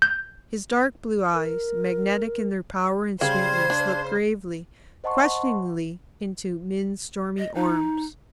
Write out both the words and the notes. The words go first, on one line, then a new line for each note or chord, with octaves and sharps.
His dark-blue eyes, magnetic in their power and sweetness, looked gravely, questioningly, into Min's stormy orbs.
G6
A#4
C#3 G3 C5 G#6
D4
C5 D#5 F#5 A5 C6 C#6
D#5
D#4